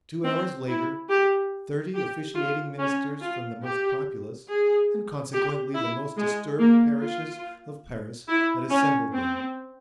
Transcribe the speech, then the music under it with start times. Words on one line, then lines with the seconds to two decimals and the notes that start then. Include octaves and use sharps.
Two hours later, thirty officiating ministers from the most populous, and consequently the most disturbed parishes of Paris had assembled there.
0.24 C4
0.67 E4
1.09 G4
1.94 G4
2.35 F4
2.78 C#4
3.20 F4
3.63 G4
4.47 G#4
5.32 G4
5.74 E4
6.17 G#3
6.59 A#3
7.01 F4
8.28 E4
8.71 C#4
9.12 C4